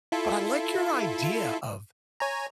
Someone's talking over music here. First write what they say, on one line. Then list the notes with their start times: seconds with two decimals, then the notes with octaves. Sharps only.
But I like your idea of
0.12 E4 F4 A4
2.20 C#5 G#5 A#5